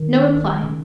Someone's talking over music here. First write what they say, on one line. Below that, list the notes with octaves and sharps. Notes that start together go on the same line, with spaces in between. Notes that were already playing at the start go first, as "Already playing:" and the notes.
No reply.
Already playing: D#3
C#3